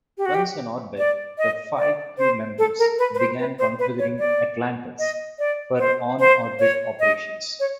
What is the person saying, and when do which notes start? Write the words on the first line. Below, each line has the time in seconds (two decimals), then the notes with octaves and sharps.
Once on orbit, the five crew members began configuring "Atlantis" for on-orbit operations.
0.18 G4
0.26 F#4
0.34 G4
0.98 D5
1.38 D#5
1.78 D5
2.18 C5
2.58 A4
2.79 A#4
2.99 B4
3.14 B4
3.19 C5
3.39 B4
3.59 C5
3.79 B4
3.99 C#5
4.19 D5
4.99 D#5
5.39 D5
5.79 C5
6.20 C5
6.59 C#5
7.00 D#5
7.60 C#5